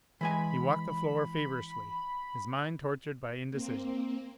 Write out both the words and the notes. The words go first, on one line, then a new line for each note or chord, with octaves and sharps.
He walked the floor feverishly, his mind tortured by indecision.
E3 G#3 G#5 B5
A#3 C4